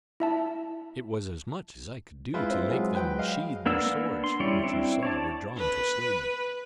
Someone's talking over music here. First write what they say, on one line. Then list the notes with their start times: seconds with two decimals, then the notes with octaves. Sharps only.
It was as much as I could do to make them sheath their swords, which you saw were drawn to slay me.
0.20 E4 E5 A5
2.34 G#3 E4 F4 B4
2.51 C4
2.71 F#3 G#3
2.95 B4 G5
3.18 D#5 F5
3.66 A#3 B3 D4 E6
4.24 C6
4.40 G3 C#4 E4 C#5 D5
4.64 C4 D4 E4
5.03 C#5 D5 A5
5.57 B4